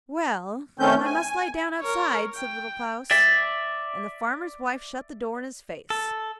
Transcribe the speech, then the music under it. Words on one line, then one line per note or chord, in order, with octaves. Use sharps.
'Well, I must lie down outside,' said Little Klaus; and the farmer's wife shut the door in his face.
D#3 A3 C4 C#4 G6
G#5
A#4 C#5
G5
D5 E5
A4